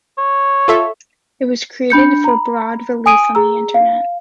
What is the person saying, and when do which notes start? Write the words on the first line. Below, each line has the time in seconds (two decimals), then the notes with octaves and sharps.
It was created for broad release on the Internet.
0.18 C#5
0.68 F4 A4 E5
1.90 D4 B5 G6 C#7
2.24 A#5 B5
3.06 G#5 D#6 D7 D#7
3.35 G#4 A#5 E6
3.74 F5